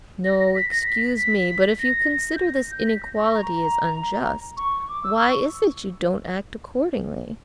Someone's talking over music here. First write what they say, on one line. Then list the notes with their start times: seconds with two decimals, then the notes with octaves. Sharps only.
"No, excuse me, but if you consider this inequality is unjust, why is it you don't act accordingly?..."
0.24 A#6
0.40 A#6
0.55 B6
0.70 A#6
0.85 B6
1.17 B6
1.79 A#6
2.36 G6
2.41 A#6
2.71 G6
2.87 B6
3.03 A#6
3.18 C#6
3.34 A#5
4.57 C#6
4.89 D6
5.04 E6
5.19 C#6